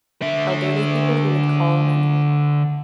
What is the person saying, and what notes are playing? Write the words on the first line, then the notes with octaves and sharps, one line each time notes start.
elderly people who would call and
D3 E5